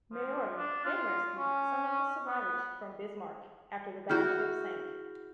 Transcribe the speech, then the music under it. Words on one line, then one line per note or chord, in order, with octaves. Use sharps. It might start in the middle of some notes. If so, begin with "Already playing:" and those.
"Maori" then rescued some of the survivors from "Bismarck" after the battleship sank.
F3
D4
F4
C#4
B3
E4 F#4 G#4 F6 G6